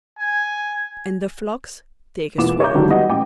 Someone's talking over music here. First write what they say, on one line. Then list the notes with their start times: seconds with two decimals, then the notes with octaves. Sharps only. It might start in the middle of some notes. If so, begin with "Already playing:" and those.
And the flocks take a swerve.
0.19 G#5
2.38 E1 E3 B3 F4 D6 E7
2.60 C#5 E5 A#5 D6 G6
2.75 D3 D#3 F#3 G#3 F#4 G4
2.89 G3 B3 E4 F#4 D#5 F#5
3.09 A1 E4 G5 D6